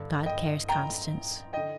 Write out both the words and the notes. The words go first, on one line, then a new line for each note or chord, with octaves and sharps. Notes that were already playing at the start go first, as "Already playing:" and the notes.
"God cares, Constance."
Already playing: G2 D3
D#5 G5
G5 A#5
D3 D#5 G5